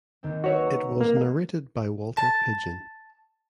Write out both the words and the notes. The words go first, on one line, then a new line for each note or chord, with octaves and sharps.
It was narrated by Walter Pidgeon.
D#2 D#3 C4
F#4 B4 C#5 E6 B6
A#5
A#3 A#4 C7
A5